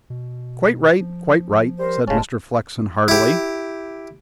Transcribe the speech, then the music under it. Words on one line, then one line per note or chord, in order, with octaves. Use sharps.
"Quite right--quite right," said Mr. Flexen heartily.
B2
F3
G3 A#4 C5
D#1 C#3 G3 G#3 C#4 A5
E4 G4